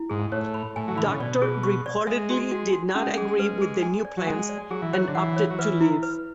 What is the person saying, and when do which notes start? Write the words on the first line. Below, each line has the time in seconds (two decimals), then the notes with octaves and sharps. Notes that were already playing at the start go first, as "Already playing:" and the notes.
Doctor reportedly did not agree with the new plans, and opted to leave.
Already playing: E4
0.10 G#2 G#4
0.32 A2 C#5
0.54 B5
0.76 A2 G#5
0.88 F#3
0.96 E3 B5
1.03 D3
1.11 C#3
1.20 B2 D5
1.42 G#4
1.63 C#6
1.86 D5
2.07 G#3 E5
2.30 F#4
2.52 F#4
2.73 F#4
2.95 G#3 C#4
3.18 G#4
3.39 B4
3.62 G#4
3.83 G#5
4.05 D5
4.18 F#3
4.27 G#3 G#5
4.49 D5
4.70 F#3 G#4
4.82 E3
4.93 F#3 C#5
5.08 D3
5.15 E3 F#5
5.36 C#5
5.50 F#3
5.59 E3 B4
5.81 E4
6.03 B4